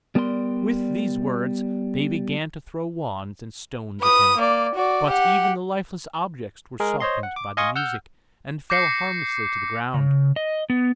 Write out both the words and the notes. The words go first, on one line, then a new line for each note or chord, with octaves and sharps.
With these words they began to throw wands and stones at him, but even the lifeless objects were softened by the music, and fell harmlessly to the ground.
G3 B3 A#4 D5 A5 C6
B4 D#6
A#3 D5
F#4 D5
G4 F#5
G#3 G#4 A#4
C5 C#5 D#5 C6
F#5
D6
D#5 F5 G#5 C6 C#6 D#6
F#5 E6 F6 G6
D6 G6 A#6 C7 C#7
C#3
D#5
B3